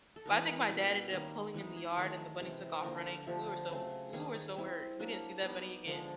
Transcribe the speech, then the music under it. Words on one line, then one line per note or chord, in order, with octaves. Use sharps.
I think my dad ended up pulling in the yard and the bunny took off running, we were so we were so hurt, we didn't see that bunny again.
A4
E3 G#3 B3 D#4 A#4
A#4
B2 G3 A#3 C#4
D#3 G3 A#3 D#4
E3 G#3 B3 D#4
G#4
D#3 F#3 A3 G#4
C3 E3 G#3 C#4
D3 F3 A#3 D4 A#4
A4
D3 F3 A3 G4
C#3 F#3 A3 C4
D#3 G3 A#3 G#4
G#4
G3 C4 E4
F#3 A#3 D4
G3 B3 D#4 G4
D3 F3 G#3